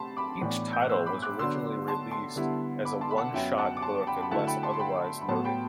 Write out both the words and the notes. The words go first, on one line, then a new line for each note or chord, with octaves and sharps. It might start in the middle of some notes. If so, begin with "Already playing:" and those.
Each title was originally released as a one-shot book unless otherwise noted.
Already playing: C3 A3 A5 B5 C6
B5 D6
A2 E3 B3 D4
G6
F#6
C6 E6
B5 D6
D6 F#6
D3 F#3 B3 D4 C6 E6
A5 C6
A5 C6
D3 G3 B3 E4
B5 D6
A5 C6
B5
F#5 A5
F#2 F#3 B3 E5 G5
F#5 A5
D6
A5 C6
G5 B5
B5
D3 F#3 A3 E4 F#5 A5
G5 B5
A5 C6
C6
G5 B5
B5
A2 F#3 B3 A5 C6
G5 B5